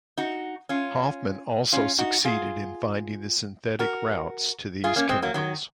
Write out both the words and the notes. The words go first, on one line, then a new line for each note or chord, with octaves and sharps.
Hofmann also succeeded in finding the synthetic routes to these chemicals.
D#4 F#4
C#4 F4
C#4 F4
D#4 F#4
F4 G#4
F#4 A#4
F4 G#4
A#3 C#4
G#3 C4
F#3 A#3
D#3 F#3